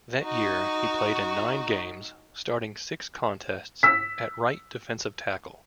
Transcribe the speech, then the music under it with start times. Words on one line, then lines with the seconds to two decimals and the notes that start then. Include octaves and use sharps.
That year, he played in nine games, starting six contests at right defensive tackle.
0.23 D#4 F#4
3.83 E6 B6